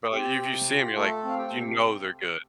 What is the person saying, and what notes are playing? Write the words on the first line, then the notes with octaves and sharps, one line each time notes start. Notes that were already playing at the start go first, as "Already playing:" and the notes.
but like if you see him, you're like, you know, they're good.
C4 G4 G5
C3
F4
A3 A4 A5
C4 F5
G4 G5
C3